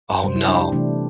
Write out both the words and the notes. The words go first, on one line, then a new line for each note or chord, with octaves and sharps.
Oh, no.
C3 G3 C5
E4
D4
G4
C3 E3 A3 D4